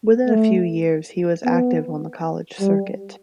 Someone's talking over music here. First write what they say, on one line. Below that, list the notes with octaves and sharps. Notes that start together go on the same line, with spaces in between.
Within a few years, he was active on the college circuit.
A3
B3
G3